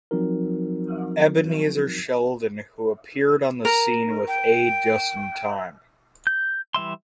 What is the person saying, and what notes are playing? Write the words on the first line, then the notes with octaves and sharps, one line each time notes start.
Ebenezer Sheldon, who appeared on the scene with aid just in time.
F3 F#3 C4 D#4 F#4 A#4
A#4
G5
G6
E3 G3 E5 C6